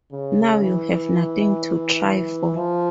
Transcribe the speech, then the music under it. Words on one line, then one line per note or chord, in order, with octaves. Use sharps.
Now you have nothing to try for.
C#3
E3
F3